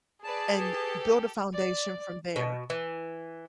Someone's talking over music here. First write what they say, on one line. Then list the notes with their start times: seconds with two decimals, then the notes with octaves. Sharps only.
and build a foundation from there."
0.24 G#4 B4 D5 A5
0.58 G4 A4 B4
1.53 D5
2.36 B2
2.70 E3